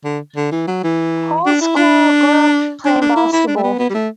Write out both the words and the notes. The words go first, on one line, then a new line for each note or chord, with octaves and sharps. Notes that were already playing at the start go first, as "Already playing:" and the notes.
Holdsclaw grew up playing basketball.
D3
D3
E3
F#3
E3
D4
E4
D4
D4
D4
E4
E4
D4
A3
B3
B3
G3
A3